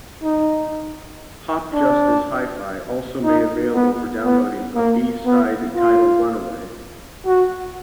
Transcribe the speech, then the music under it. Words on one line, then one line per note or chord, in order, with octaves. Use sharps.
Popjustice Hi-Fi also made available for downloading a B-Side titled Runaway.
D#4
D4
D#4
B3
B3
A#3
B3
F4
F#4